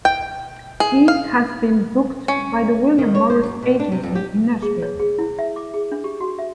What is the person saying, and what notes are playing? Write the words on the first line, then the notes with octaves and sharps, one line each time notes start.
He has been booked by the William Morris Agency in Nashville.
G5
G#4
F5
C#4
D#3
C#5
C5
F#2
B2
D4
C3
F2
G4
G#4
C#5
G#4
E4
E5
D6
G#4
D4
G4
F#4
E5